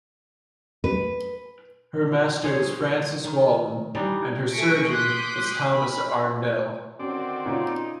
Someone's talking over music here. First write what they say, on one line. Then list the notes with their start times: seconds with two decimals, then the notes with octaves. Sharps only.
Her master was Francis Walton and her surgeon was Thomas Arndell.
0.84 B4
2.43 G#4 C5 C#5
3.24 D#3
3.95 E3 G3 D4 D#4
4.49 A3 G#4 C#6 A#6 B6 D7
4.87 C6 D6 D#6 F#6 G6 B6
5.69 B5
7.00 D3 D#3 C4 C#4 F#4 D5
7.45 A#2 C#3 C#4 D#4